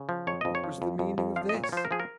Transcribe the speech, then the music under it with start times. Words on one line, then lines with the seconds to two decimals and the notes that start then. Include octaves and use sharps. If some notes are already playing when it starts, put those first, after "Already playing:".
What was the meaning of this?
Already playing: C#3
0.09 F3
0.27 F2 C#5
0.41 F2 D#5
0.55 C#5
0.64 F3
0.82 F2
0.99 F2
1.18 F2
1.36 F3 F5
1.49 D#5
1.54 A#2
1.64 C#5
1.72 F3 C5
1.85 A#4
1.91 F3 G#4
2.00 A#4